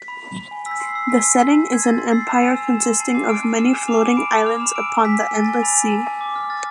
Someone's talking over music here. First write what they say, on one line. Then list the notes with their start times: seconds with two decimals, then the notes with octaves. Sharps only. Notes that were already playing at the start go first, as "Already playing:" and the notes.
The setting is an empire consisting of many floating islands upon the Endless Sea.
Already playing: B6
0.08 B5
0.22 B5
0.37 B5
0.51 G#5
0.66 E6 B6
0.80 C6 C7
0.95 E6 C7
1.09 G#5 B6
1.24 A5
1.39 C6
1.54 A5
1.69 A5 G#6
1.83 A5 A6
1.98 C6
2.12 E6 C7
2.27 E6 E7
2.42 G#5 F7
2.57 E6
2.70 G#5 E7
2.86 C6
3.00 A5 C7
3.15 D6
3.29 F6 D7
3.43 A5
3.59 F6 E7
3.73 G#5
3.88 D6 F7
4.01 D6 E7
4.17 B5 D7
4.31 D6
4.46 F6 F7
4.60 B5 E7
4.76 E6 D7
4.90 G#5
5.05 G#5 B6
5.19 G#5
5.33 G#5 A6
5.49 G#5
5.63 B5
5.78 G#5
5.92 A5
6.07 A5
6.21 D6
6.36 F6
6.50 F6 A6